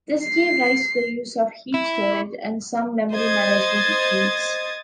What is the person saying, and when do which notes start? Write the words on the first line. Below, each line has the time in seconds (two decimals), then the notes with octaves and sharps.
This gave rise to the use of heap storage and some memory management routines.
0.23 C7
1.74 E4
3.12 C5 D#5 D#6 G#6 A6